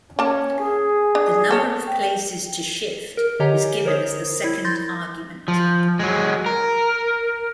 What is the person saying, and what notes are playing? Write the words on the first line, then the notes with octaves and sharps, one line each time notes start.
The number of places to shift is given as the second argument.
A#3 C#4 A5
G#4
D4
A4 C#5
G5
A#4
D3 G4 C#5 D#5 G#5 A#5
A#4 C5 C#5 D#6
E4 G#6
C6 G6 A6 A#6
F3
F#3 G#3
A#4